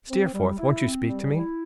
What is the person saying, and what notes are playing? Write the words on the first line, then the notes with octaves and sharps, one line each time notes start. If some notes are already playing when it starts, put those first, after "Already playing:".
'Steerforth! won't you speak to me?'
C4
G3
E4
C4
G3
E4